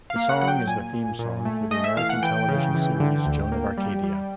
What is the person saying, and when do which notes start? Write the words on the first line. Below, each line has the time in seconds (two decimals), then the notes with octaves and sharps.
The song is the theme song for the American television series "Joan of Arcadia".
0.10 F5
0.16 A#3
0.29 F#5
0.41 F#3 F#5
0.48 G5
0.67 A#2 G#5
0.93 A#2
1.19 A#2
1.45 A3
1.71 A3 D#5
1.84 E5
1.97 E3 F5
2.09 F#5
2.23 E3 G5
2.49 C#3
2.75 E3
3.00 D3
3.26 D2
3.52 A#3
3.78 G3
4.03 G3